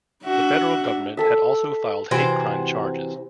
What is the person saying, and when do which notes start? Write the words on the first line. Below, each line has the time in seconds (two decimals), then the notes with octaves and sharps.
The federal government had also filed hate crime charges.
0.25 D4 F#4 E5
1.17 A4 E5
2.11 C3 E3 F#4 C5